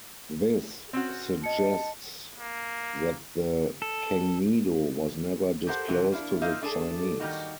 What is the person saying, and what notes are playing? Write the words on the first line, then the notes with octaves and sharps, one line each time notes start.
This suggests that the Kangnido was never disclosed to the Chinese.
C4 C#4 F#4
D#5 A5 C#7
A#3
A4
G4 A4 A#4 C5 F5 F#5
C3 E3 F#3
A#3 D4 E4
A#3 D#4 F4 E5 F5
A3 D4 G#4 A4 A5
D#3 G3 A#3 D#4 F#4